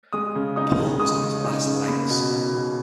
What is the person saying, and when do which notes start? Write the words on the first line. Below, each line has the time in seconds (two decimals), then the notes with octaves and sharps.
Paul was on his last legs.
0.13 G#3 D#6
0.35 C#3
0.56 D#4 D#6
0.79 C#3
1.00 G#3 D#6
1.22 C#3
1.44 D#4
1.66 C#3
1.88 A#3 B5
2.09 B2
2.31 D#4
2.53 B2